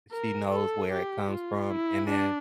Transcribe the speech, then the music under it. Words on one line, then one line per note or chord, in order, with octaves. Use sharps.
she knows where it comes from, and then
A#4
A4
G4
F4
E4
D4